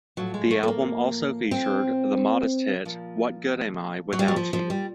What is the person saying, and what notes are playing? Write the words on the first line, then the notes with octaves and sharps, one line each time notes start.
The album also featured the modest hit "What Good Am I Without You?".
A2 F3 F#3
G#3
A3
A3
A#3
C4
A#2 F3
F#3
G3
F#3
F3
F3
G3